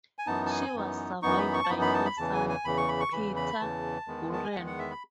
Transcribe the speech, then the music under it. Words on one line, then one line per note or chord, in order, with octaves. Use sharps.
She was survived by her son, Peter Gurian.
G#5
F#2 E3 B3 D#4 A5
A5
G#5
F#2 E3 B3 D#4
F#2 E3 B3 D#4 C#6
B5
C#6
A5
F#2 E3 B3 D#4 B5
B5
A5
B5
E2 C#3 E3 A5
G#5
G#5
E2 C#3 E3 B5
C#6
B5
C#6
E2 C#3 E3 B5
B5
E2 C#3 E3 A5
E2 D#3 G#3 B3
A5
G#5
E2 D#3 G#3 B3 F#5
F#5
E5
B5